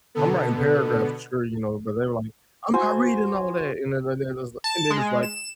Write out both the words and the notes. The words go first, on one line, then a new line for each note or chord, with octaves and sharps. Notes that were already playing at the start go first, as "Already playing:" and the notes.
I'm writing paragraphs sure, you know, but they're like, "I'm not reading all that," and then then it's, like and then it's like
B2 D3 B3 A4
F#4 C5 G#5
A5
G#3
E7